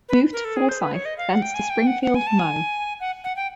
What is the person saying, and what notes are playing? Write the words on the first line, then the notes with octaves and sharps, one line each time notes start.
Moved to Forsythe, thence to Springfield, Mo.
B4
A#4
A4
G#4
C5
B4
C#5
D#5
F5
F#5
G5
G#5
G5
F#5
F#5
G#5
A5
G#5
F#5
F#5
G5